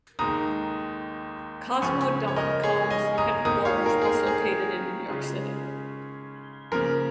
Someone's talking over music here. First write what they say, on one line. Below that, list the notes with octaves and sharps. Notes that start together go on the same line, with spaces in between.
Kozmo dot com's headquarters was located in New York City.
D#2 D#3 G#3 A#5 D#6
C#2 C#3 F3 G#5 C#6
C#5
A#4 D#5
G#4 C#5
D#5 G#5
A#5 D#6
G#2 D#3 A#3 A#5 D#6
C#5 F5
A#4
G#4
A#4
G#4
C#3 G#3 C#4 F4
C#3 F3 A#3 A#4